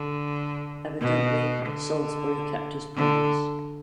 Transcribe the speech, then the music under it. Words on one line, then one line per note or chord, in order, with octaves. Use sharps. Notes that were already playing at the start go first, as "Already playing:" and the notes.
Evidently Saulsbury kept his promise.
Already playing: D3
B2
D3
D3